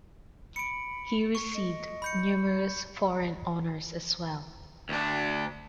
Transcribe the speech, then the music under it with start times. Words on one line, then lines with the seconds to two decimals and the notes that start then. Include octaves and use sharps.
He received numerous foreign honours as well.
0.56 B5 C#7 D7
1.35 C#6
1.54 D#5
2.02 B5 G6 C#7
4.89 D2 D4